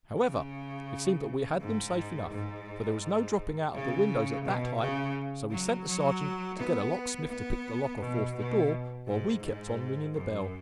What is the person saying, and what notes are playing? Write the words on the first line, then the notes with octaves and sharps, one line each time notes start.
However, it seemed that we had them safe enough, for there was no dropping out of the windows at that height; so we sent the sergeant to get a locksmith to pick the lock or force the door, while we kept on ringing the bell.
C#3
G#2
G#2
C#3
B2
C#3
F#3
F#3
B3
B3
B2
B2
G#2
G#2
F#2